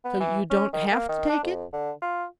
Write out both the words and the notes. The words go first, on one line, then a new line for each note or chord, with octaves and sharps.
So you don't have to take it.
B3
E3
C#4
D#3
A#3
D#3
D4
F2
D3
F4